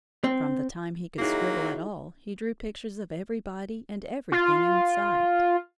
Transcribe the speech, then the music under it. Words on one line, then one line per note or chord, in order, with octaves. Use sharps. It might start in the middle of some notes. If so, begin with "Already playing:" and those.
From the time he could scribble at all he drew pictures of everybody and everything in sight.
C4
C3 F#3 A#3 D#4 E4 F#4 G#4
F4